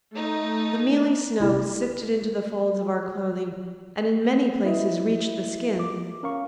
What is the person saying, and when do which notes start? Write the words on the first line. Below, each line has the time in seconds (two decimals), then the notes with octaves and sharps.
The mealy snow sifted into the folds of our clothing and in many places reached the skin.
0.13 A3 D#4
1.39 G1 C3 E4 A6 E7
4.65 E4 B4 D#5 E5
5.79 D6
6.23 C#4 A#4 F5 C#6